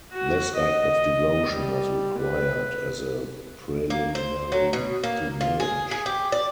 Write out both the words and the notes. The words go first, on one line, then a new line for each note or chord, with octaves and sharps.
This act of devotion was required as a preliminary to marriage.
F#4
D#5
G3
B4
A#3
C5
F#3
B2
A#3
F4
G#4
G#4
G4
D5